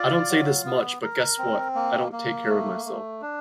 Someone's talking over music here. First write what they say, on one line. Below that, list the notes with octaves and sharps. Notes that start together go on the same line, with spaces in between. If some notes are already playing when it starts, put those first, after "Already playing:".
I don't say this much but guess what, I don't take care of myself.
Already playing: F4 D5
F#3
B3
A#4
C4
A#3
A#3
A3
A3
D4